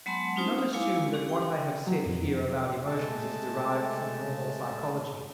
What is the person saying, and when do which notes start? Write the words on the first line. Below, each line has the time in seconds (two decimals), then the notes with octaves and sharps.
Do not assume that what I have said here about emotions is derived from normal psychology.
0.06 F#3 G#3 B3 F#5 A5 C6
0.36 C4 C#4 D#4 F4 C5
0.72 G#3 E4 F5 D6
1.14 C#4 G4
1.29 G5
1.87 F#3
2.06 F2
2.87 G#3 A3 A5